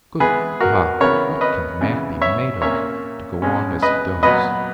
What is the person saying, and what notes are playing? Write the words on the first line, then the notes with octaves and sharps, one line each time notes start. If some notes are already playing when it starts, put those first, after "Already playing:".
Good God! what can a man be made of to go on as he does?
E3 G#3 B3 G#4 B4
F#4 A#4
C#3 E3 B3 A#4 C#5
B4 D#5
C#3 E3 B3
C#5 E5
A#2 A#3 C#4 C#5 E5
B2 G#3 C#4
B4 D#5
A#2 F#3 B3 B4 D#5